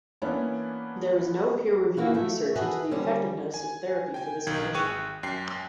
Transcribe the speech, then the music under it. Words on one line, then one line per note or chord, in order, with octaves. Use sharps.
There is no peer reviewed research into the effectiveness of therapy for this condition.
E3 A#3 B3 C#4 D4 E4
C#3 E3 A#3 E4 F#4
A3 E5
F#4 G#4 A4 B4 E5
D3 G3 C4 C#4
G#5
G5 G#5
B1 D#3 G#6
G#1 G#4 G5 C#6 F#6 D#7
F#2 G5 C7